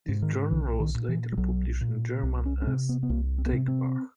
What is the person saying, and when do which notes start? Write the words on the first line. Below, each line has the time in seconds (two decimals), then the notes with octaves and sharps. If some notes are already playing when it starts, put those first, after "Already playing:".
This journal was later published in German as "Tagebuch".
0.08 G#2
0.22 D#3
0.51 B1 D3
0.80 D#3
0.94 A#2
1.09 E3
1.32 G3
1.38 B1 F#3
1.81 A#2
2.23 C2 C4
2.46 C#4
2.62 C#4
2.67 C3 C4
2.89 B3
3.03 B3
3.09 C2 A#3
3.38 C4
3.46 B3
3.53 C3 C4
3.68 C4